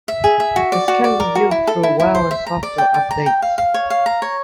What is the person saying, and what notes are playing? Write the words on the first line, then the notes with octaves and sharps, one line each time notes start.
This can be used through wireless software updates.
E5
G#4
E5
F#4
D5
F#4
D5
A#4
F#4
E4
A4
E4
E4
C5
E5
A#5
D5
G5
D5
A#5
G5
F5
F5
C#5
F5
A#5
C#5